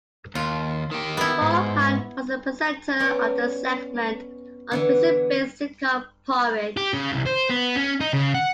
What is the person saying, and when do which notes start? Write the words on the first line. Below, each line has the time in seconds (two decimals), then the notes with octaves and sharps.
Vaughan was the presenter of the segment on prison-based sitcom "Porridge".
0.35 D#2 F4
0.91 D#3 G4
1.17 B3 E4
1.42 G#2
3.00 B3 C#4 D5
4.71 D3 E3 B3
6.77 G4
6.94 C#3
7.13 C2
7.27 C5
7.50 B3
7.76 C#4
8.01 D#4
8.13 C#3
8.34 F#5